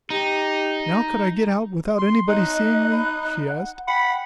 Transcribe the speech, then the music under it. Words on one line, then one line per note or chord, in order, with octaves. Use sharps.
"Now could I get out without anybody seeing me?" she asked.
D#4 G4
C6
D#4 D#5 F#6
B5
F#5
F#5 G5 B5